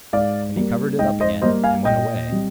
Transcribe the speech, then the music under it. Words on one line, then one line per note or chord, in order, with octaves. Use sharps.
Then he covered it up again, and went away.
G#2 D5 F5
G3 A#3
G#2 D#5 G5
C5 D#5
G3 A#3 C5 D#5
F5 G#5
A#2 D#5 G5
G3 C4